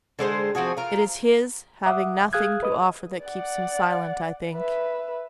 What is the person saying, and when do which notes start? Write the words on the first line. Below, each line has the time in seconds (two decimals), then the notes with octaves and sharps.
'It is his having nothing to offer that keeps him silent, I think.
0.19 D3 G#3 C5 G5
0.55 F3 C4 F#4 G#4
0.77 F4 A#4
1.86 E5 F#5 D6 D#6
2.33 G#4 F5 D#6 F#6 G#6
2.63 B4 D#5 D#6
3.24 D5 F#5
4.55 B4 E5